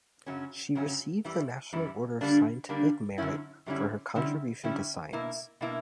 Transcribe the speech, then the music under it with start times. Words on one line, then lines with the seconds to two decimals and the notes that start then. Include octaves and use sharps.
She received the National Order of Scientific Merit for her contribution to science.
0.26 F#2 C#3 F#3 C#4
0.75 F#2 C#3 F#3 C#4
1.24 F#2 E3 G3
1.73 F#2 E3 G3
2.21 D3 G3 A#3 D4
2.69 D3 G3 A#3 D4
3.18 F#2 D3 G3 C#4 E4
3.66 F#2 D3 G3 C#4 E4
4.15 D3 G3 C#4 E4
4.63 D3 G3 C#4 E4
5.13 B2 A#3 E4
5.61 B2 A#3 E4